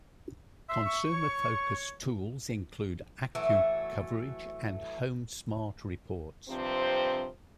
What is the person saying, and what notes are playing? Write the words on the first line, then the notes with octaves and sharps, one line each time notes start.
Consumer-focused tools include AccuCoverage and Home Smart Reports.
E5 C6
C#6
C#5
E3 F#3 A3
G2 C3 F3 C4 C5